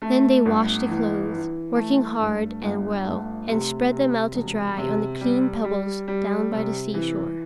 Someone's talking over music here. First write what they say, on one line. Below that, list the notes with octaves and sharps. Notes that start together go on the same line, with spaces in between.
Then they washed the clothes, working hard and well, and spread them out to dry on the clean pebbles down by the seashore.
A3
G1
E3
E3
A3
G2
G1
A3
C3
C3
E1
C3
G3
G3
G3
C3
E3